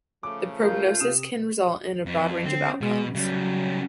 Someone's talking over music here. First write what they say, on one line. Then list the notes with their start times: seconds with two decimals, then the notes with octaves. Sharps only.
The prognosis can result in broad range of outcomes.
0.23 C#3 F3 A3 D6
0.62 F4 A#4 F5 G6
1.00 C3 D#6 E7
2.06 F2
2.46 D3 C4
2.81 B2 G#3
3.15 C#3 F#3 G3